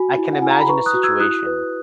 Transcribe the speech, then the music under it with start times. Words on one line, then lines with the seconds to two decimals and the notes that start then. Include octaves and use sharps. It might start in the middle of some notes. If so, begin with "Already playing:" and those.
I can imagine a situation
Already playing: F#4 G#5 B5
0.18 E4
0.33 F#5
0.42 E4 G#5
0.50 A#5
0.60 B5
0.69 B4 A#5 C#6
0.86 D#6 F#6
0.94 F#4
1.03 E6 G#6
1.20 E4 D#6 F#6
1.46 B4